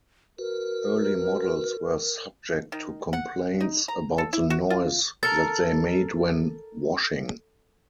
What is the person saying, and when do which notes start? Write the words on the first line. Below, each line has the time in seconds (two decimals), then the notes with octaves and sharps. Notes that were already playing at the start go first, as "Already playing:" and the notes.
Early models were subject to complaints about the noise that they made when washing.
0.39 F#4 A#4 B4
2.72 D#3
3.13 F#5
3.61 D#4
3.88 A#5
4.18 A4
4.33 E4
4.50 F#4
4.70 F4
5.23 A4 A#4 A5 A6 C#7